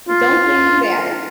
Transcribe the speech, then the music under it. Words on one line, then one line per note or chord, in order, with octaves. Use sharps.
I don't blame you there.
F4